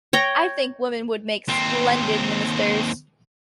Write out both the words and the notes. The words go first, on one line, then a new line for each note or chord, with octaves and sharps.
I think women would make splendid ministers.
C#5 G5 A#5
D#2 C4